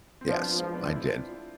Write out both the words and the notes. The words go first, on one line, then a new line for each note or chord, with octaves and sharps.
yes, I did.
C4
F3 B3 D4
F3
F3 G#3
B3 D4
C4 E4
D4 F4